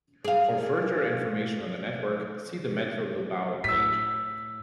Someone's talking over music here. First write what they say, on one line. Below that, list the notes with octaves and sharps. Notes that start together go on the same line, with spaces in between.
For further information on the network, see the Metro Bilbao page.
G#4 F5
A2 E6 B6